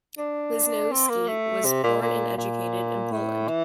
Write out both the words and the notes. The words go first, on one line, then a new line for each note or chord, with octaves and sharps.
Wisniewski was born and educated in Poland.
D4
C4
A#3
A3
C3
A#2
A#2
A#2
A2
E3